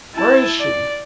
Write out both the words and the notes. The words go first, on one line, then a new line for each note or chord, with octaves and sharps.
"Where is she?"
E4 A5
D5